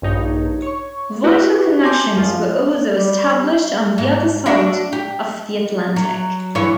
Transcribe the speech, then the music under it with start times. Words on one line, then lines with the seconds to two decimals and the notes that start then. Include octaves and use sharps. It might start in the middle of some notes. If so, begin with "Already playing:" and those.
Vital connections were also established on the other side of the Atlantic.
0.02 A#1 G2 D#4 C#5
0.62 C#5 C#6
1.24 E4 F#4 G4 B4
1.83 G#5 A5 C6 D6 G6
2.16 F#2 F3 F4
2.93 G3
3.98 G#2
4.46 D4 F#4 E5
4.93 G4
5.96 F#3
6.55 G2 E3 C#5